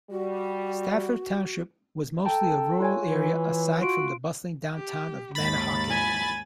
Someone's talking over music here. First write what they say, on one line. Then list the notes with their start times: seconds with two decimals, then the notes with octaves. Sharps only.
Stafford Township was mostly a rural area, aside from the bustling downtown of Manahawkin.
0.10 G3 F#4
2.25 A4 G5 A5 A#5
2.80 F4 C#5 G#5
3.09 E3
3.81 F4 F#4 C6 D7
4.74 G4
5.35 D#2 G#2 B5 A6
5.90 G#5